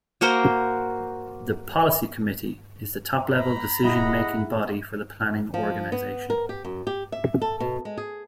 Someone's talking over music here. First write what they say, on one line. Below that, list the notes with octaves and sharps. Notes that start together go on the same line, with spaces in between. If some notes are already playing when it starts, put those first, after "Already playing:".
The "policy committee" is the top-level decision-making body for the planning organization.
A#3 F#4 A#4 C5
A#5 B5
E4 G4 G#4 D#5 F#5
F3
B3
A#4
G4
F#2
G4
E5
A4
B2
G#3
G#4